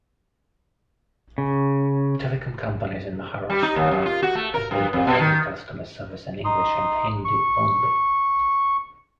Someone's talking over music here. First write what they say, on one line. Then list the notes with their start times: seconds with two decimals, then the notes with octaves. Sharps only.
Telecom companies in Maharashtra had been providing customer service in English and Hindi only.
1.38 C#3
3.50 G3
3.62 D#4
3.76 D#2
3.91 F#2
4.06 F4
4.22 F#4
4.35 A3
4.54 A#4
4.71 G2
4.93 F2
5.07 B2
5.19 D#3
6.45 D#4 C6 D#6
7.25 C#6